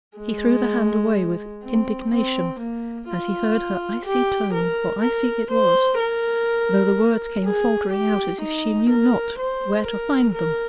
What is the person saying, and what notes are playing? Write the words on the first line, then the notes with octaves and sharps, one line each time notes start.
He threw the hand away with indignation, as he heard her icy tone; for icy it was, though the words came faltering out, as if she knew not where to find them.
G#3
C4
C4
A#3
F4
G4
A#4
A#4
C5
A#4
G#4
G4
D#4
A#4
C5
A#4
A#4